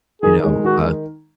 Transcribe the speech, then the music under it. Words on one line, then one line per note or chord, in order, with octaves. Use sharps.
you know, uh
D#3 G#4
G#3
D#3 F#4